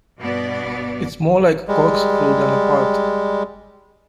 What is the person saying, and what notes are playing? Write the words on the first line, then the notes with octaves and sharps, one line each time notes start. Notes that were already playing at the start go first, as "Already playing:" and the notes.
It’s more like a corkscrew than a path!
G2 B2 B3 D5
G3 G#3